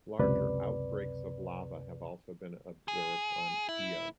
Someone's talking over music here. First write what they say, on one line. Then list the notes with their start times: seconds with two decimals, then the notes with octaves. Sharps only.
Larger outbreaks of lava have also been observed on Io.
0.19 C#2 F#2 C3 B4 D5
2.88 G#4
3.69 E4